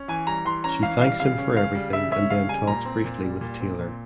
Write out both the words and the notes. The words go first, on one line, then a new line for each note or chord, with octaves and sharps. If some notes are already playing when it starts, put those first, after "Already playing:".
She thanks him for everything and then talks briefly with Taylor.
Already playing: C#4
E3 G#5
G3 A#5
E3 C6
C#4 A#5
E3 F5
G3 F5
C#3 F5
C#4
C#3 F5
G3
C#3 E5
C#4 E5
C#3 F5
G3 G#5
A#2 A#5
C4
A#2
G3
A#2
C4
A#2